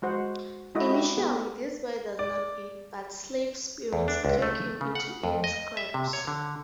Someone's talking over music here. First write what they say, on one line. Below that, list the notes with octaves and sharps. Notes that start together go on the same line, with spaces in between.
Initially, this boy does not eat, but slave spirits trick him into eating scabs.
G#3 F#4 C5 F#5
G#3 E4 F#4 A4 D#5
G4
B3 G4
D5
E2
D4
C#2
A3
C#3
F#5
F2
D#5
E5
C3
C#5
D3